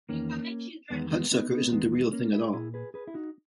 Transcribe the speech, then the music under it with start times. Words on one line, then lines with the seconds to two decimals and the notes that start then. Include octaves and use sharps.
"Hudsucker" isn't the real thing at all.
0.09 E2 D#3 A#3 C#4
0.90 E2 D#3 G#3 B3
1.10 G#3 B3
1.31 B3 D#4
1.51 B3 D#4
1.72 E2 D#3 G#3 B3
1.92 G#3 B3
2.13 A#3 C#4
2.33 E4 G#4
2.54 A#2 E4 G#4
2.74 G#4 B4
2.94 G#4 B4
3.07 E4
3.14 D#4 F#4